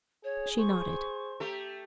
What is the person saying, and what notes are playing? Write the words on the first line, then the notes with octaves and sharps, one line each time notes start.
She nodded.
G#4 C#5
C5 C#6
A3 G4 A4